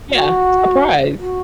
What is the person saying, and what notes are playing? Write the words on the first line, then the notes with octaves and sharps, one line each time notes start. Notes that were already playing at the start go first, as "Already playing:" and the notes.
Yeah, surprise.
F#4
F#4